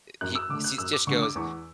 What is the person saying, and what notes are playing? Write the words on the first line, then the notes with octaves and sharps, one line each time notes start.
uh, he sees just goes
F#2 F#6
E6
D3 A3 D6
F#6
F#2 E6
D6
D3 A3 C#6
D6
E2 C#6